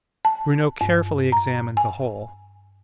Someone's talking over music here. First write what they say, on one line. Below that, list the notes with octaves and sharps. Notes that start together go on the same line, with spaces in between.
Bruno carefully examined the hole.
A5
G2
A#5
G#5